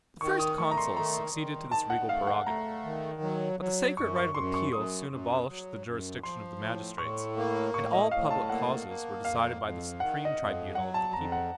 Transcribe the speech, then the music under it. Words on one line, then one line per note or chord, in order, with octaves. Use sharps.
The first consuls succeeded to this regal prerogative; but the sacred right of appeal soon abolished the jurisdiction of the magistrates, and all public causes were decided by the supreme tribunal of the people.
D#3 C#6
D#6
A3 C#6
A#5
C6
D#3 A#5
D#3
D#3 A5
F#5
A3 F5
F#5
A3 A#5
D#3
F#3
F#3
F#2 C#6
C#6
F#2 C6
C#6
F#2 D#6
F#2
F#3
F#2
F3 C6
A2
A2 C#6
A#3
A2 C#6
D#5
A2 F5
A5
A#3 F#5
A#3
F2 F5
F2
D#3 F#5
D#5
F2
F#3 F#5
A5
F2 A#5
F#5